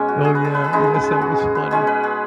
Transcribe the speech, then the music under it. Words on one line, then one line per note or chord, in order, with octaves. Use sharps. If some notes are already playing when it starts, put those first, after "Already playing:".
Oh, yeah, yes, that was funny.
Already playing: B2 G#3 C#4
F#4
G#4
B4
G#4
B4
G#4
C#3 G#3 D#4 B4
G#4
B4
G#4
F#4
G#4
B4
B2 G#3 C#4 G#4
B4
G#4